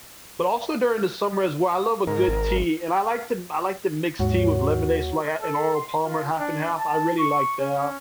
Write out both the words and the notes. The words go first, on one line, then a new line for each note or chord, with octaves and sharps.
but also during the summer as well, I love a good tea and I like to m I like to mix tea with lemonade, so, like, I an Arnold Palmer half and half, I really like that.
G#2 A#4
G#1
D#2 G#2 F#3
A4
C6
F4
D4
A5
C#6
C#4